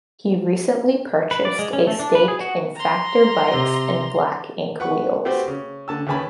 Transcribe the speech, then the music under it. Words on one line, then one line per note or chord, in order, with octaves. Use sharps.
He recently purchased a stake in Factor bikes and Black Inc wheels.
B4
D5
G#3
C#4
A3
D4
B4
G#4
F#4
A#5 C6
C3
B4 F#5 C#6
C4 F#4 G4 A4 B4 C5
C#3
D3 A5 E6
D#2 C#3 B4 G#5 A5 B5